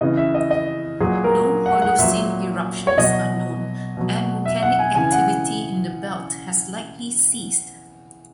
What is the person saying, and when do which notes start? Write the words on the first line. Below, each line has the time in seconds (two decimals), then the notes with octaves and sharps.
No Holocene eruptions are known, and volcanic activity in the belt has likely ceased.
0.01 C#3 E3 D#5
0.17 E5
0.34 D#5
0.51 D#5
1.00 A#2 F#3 G#4
1.24 A#4
1.66 F#5
1.82 F#5
1.99 A#2 F#3 E5
2.87 C#5
2.98 B2 F#3 D#5
3.97 B2 F#3
4.45 E5
4.63 F#5
4.79 G#5
4.95 C#3 E3 G#5
5.12 F#5